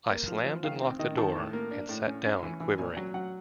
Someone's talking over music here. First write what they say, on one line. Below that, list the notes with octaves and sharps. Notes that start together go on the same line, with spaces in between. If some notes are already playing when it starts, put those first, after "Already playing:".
I slammed and locked the door and sat down quivering.
A#3
F3
F3
D#3 F5
C4
D#3 D#5
D#3 A5
A2
A#3
D4
A2
C#4
C#4
E3
E3
A#2 G#5
F#3
F#3 F#5